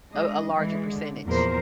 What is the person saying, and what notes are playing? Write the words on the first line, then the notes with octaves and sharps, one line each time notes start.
a a larger percentage.
G#3 D4 D#5
E3 G#3
D3
E2 A#2 F3 A#4 C5